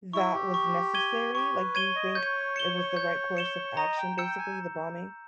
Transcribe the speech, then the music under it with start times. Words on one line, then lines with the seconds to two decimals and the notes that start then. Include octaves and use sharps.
that was necessary? Like, do you think it was the right course of action, basically, the bombing?
0.13 E4 C#6 E6
0.34 G4
0.54 C#6
0.94 G#6 D#7 G7
1.35 G4 C#6
1.55 B4
1.75 C#5 G#6 D#7 G7
1.95 D#5
2.15 C#5 G6
2.56 C#7 E7 G7
2.97 G6
3.37 C#7 E7 G7
3.77 D#5 A#5
3.97 G5
4.18 G5 E6 G6 C#7 E7
4.38 G#5